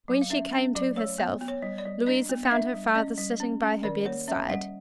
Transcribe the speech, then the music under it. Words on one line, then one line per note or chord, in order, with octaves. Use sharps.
When she came to herself, Louisa found her father sitting by her bedside.
F#3
F5
C#4 E5
C#4
F#3 D5
A3 C#5
B3
B3
C#5
G3
D5
G3
D4 D#5
B3
F5
D4 E5
G3
C#4 D#5
G3
C#4
C#4
D#3 D5
A#3 C#5
C#4 E5
G3 F#5